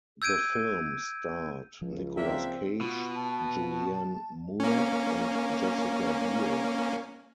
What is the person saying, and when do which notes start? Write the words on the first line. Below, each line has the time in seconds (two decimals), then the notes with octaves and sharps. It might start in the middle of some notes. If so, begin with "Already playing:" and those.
The film starred Nicolas Cage, Julianne Moore, and Jessica Biel.
0.22 E6 G6 G#6 D7 D#7
1.82 C#2 F3
2.16 A#3 C4 D4 E5
2.81 B2 F4
3.15 A5
4.60 A#3 C#4